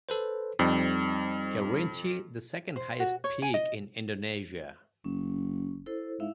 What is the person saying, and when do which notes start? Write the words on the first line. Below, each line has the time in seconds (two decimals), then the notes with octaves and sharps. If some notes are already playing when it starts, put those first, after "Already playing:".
Kerinci, the second highest peak in Indonesia.
0.09 A4 B4 C5
0.59 F2 G3 C4 D#4
2.76 C5
3.00 F#4
3.24 C#5
3.42 G#5
3.54 D#5
5.04 F#1 C#4
5.86 E4 A4 C5
6.20 G#2 E4 E5 F5